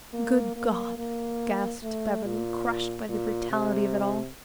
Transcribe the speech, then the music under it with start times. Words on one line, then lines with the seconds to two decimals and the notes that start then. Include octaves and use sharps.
"Good God!" gasped Beverly, crushed by the brutality of it all.
0.14 A#3
0.56 A#3
0.98 A#3
1.83 A3
2.25 A#2
3.09 A#2
3.52 C3